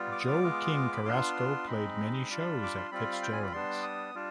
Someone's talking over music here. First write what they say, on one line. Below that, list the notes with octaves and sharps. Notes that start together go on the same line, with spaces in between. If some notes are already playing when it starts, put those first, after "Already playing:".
Joe King Carrasco played many shows at Fitzgerald's.
Already playing: G3 B3 F4
D6
D#6
D6
G#3 B3 F4
B5
B3 D4 F4 C6
G#3 C4 D#4 B5
G3 D4 F4
D6
C6
G3 C4 F4 B5
F5
G5
G#5
B5
G3 B3 D4 C6
D#6
G3 D4 F4